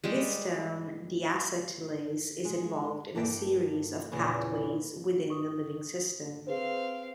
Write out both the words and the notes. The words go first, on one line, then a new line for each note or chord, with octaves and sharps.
Histone deacetylase is involved in a series of pathways within the living system.
G3 G#3
G#3
G2 A#3 A4 G5
E2 A#2 C#3 E3
C#6 D#6
C4 G#4 B4 C5 F5